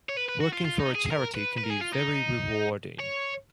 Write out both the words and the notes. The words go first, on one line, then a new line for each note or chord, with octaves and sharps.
Working for a charity can be very rewarding.
C#5
B4
B4
F#4
F4
F4
D#4
G#4
G#4
A#4
B4
B4
A#4
G#4
F4
D#4
C#5